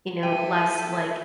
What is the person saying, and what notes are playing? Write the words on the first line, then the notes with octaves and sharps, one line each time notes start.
you know, less, like,
E4 A4 G5 D#7